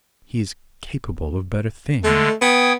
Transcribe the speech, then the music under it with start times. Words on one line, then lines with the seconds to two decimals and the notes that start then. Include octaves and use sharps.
He is capable of better things.
2.04 D3 G#3 A3
2.41 B3 G5 D#6 G#6